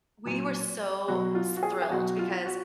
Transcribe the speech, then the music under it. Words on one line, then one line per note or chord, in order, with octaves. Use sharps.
We were so s thrilled because
A#2 F#3
B2 F#3 F#4
F4
F#4
G#4
G#4
B2 F#3 F#4
F4
F#4